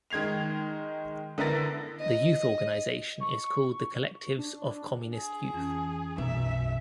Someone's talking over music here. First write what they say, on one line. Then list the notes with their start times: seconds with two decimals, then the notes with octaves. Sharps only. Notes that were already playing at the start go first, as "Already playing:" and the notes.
The youth organization is called the Collectives of Communist Youth.
0.10 D#3 G#3 G#6 C7 F7
1.38 D3 B3 E4 A#4 A6 A#6
2.00 D#5
3.20 C#6
4.38 D4
5.14 G#4
5.53 F2 E3 C#4
6.18 B1 F#2 B2 E5